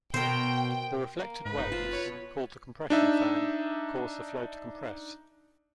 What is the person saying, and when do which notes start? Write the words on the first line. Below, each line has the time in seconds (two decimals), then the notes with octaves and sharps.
The reflected waves, called the compression fan, cause the flow to compress.
0.14 B2 A#4 C5 G5
1.20 A#3
1.45 G#2 B4
1.57 F#1 D#4
1.72 F4 C5
1.93 C#5
2.05 B2
2.90 D4 D#4 E5